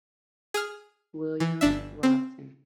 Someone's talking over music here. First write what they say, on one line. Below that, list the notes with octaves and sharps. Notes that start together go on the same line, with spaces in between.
William Robson.
G#4 D#6 F6
E3
G1 D4 E5
C4